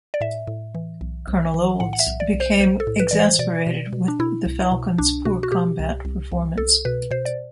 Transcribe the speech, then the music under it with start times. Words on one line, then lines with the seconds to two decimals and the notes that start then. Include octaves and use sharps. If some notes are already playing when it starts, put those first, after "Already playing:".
Colonel Olds became exasperated with the Falcon's poor combat performance.
0.14 D5
0.21 A2 E5
0.47 A2
0.75 E3
1.01 B1
1.28 B1
1.54 E3
1.80 A2 F#5
1.93 F#5
1.99 E5
2.07 B1
2.20 D5
2.33 B1
2.40 C5
2.59 B1 C5
2.80 A4
2.87 A2
3.00 B4
3.11 E3 D5
3.19 C5
3.39 B2 D5
3.67 B2
3.93 B2
4.08 D4
4.19 B2 E4
4.46 C2
4.72 B2
4.98 C2 D4
5.25 B2 F#4
5.43 F#4
5.52 B2 G4
5.79 C2
6.05 C2
6.32 C2
6.58 C2 A4
6.85 B2 B4
7.11 B2 C5
7.25 D5